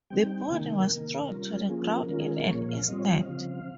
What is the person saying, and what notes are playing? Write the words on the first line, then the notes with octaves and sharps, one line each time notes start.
The body was thrown to the ground in an instant.
G3 C4 D#4 G5
C3 D#3 A#3 D#4 G#5
G5
A#4
C3 D#3 A#3
G3 C#4 F4
F3 A#3 C#4 F4 G#4
A#4
D#3 G#3 C#4 F4 A#4
G#4
A#4
A#2 F3 A#3 C#5
F5
G3 C4 F4 D#5
C#5
D#5
F5
C#3 F3 C4